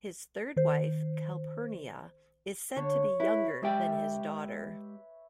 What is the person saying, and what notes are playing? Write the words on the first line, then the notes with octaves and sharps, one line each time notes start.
His third wife Calpurnia is said to be younger than his daughter.
D#3 C5
D3 C#5
E4 B4
G#3 G4 E5 G5